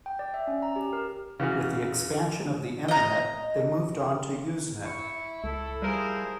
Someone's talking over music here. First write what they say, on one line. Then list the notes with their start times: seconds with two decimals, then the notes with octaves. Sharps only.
With the expansion of the Internet they moved on to Usenet.
0.06 G5
0.19 D5
0.34 E5
0.47 C#4
0.62 A#5
0.76 G4
0.93 A#4
1.40 C#3 E3 F#4 F6
2.88 D#5 A#5
4.85 E4 C#6
5.44 C#2 E4 A4
5.82 F3 G3 G#4 A#4 C5